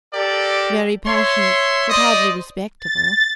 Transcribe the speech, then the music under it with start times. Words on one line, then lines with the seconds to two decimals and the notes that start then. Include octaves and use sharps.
'Very passionate, but hardly respectable.
0.14 G4 A4 A#4 D5
1.06 C#5 E5 C6
1.90 C5 D5 D#5
2.79 A6